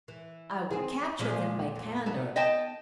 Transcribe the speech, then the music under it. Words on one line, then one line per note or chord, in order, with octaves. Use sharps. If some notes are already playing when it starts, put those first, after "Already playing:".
I will capture them by candour.
E3
C4 G#4
A#2 F3 G#3 G#4
F2
B3 D#4 A4
D#5 G5 A5